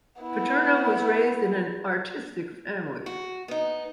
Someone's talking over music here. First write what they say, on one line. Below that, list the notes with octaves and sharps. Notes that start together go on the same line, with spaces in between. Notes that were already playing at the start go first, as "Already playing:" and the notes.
Paterno was raised in an artistic family.
B3 E4
F#4
B3 D#4